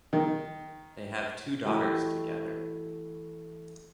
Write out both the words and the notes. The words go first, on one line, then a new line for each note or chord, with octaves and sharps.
They have two daughters together.
D#3
E3 A3 E4 F#4 G4 D#5